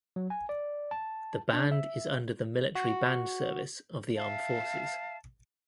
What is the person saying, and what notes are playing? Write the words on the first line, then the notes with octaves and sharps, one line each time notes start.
The band is under the Military Band Service of the Armed Forces.
F#3
G#5
D5
A5
D4
E5
F#4
E5 F5 A5